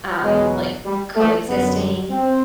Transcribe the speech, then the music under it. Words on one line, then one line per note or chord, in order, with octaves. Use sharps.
um, like, coexisting.
E2 B2 F#3 G#3
G3
A3
F#2 D3 F#3 B3
C4